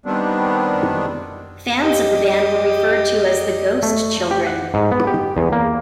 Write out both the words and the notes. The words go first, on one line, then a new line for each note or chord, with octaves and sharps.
Fans of the band were referred to as the "Ghost Children".
D#3 G3 B3 C4 D4
G4 D#5
A3
G4
F#5
G#2
B3
G4
E2
A#3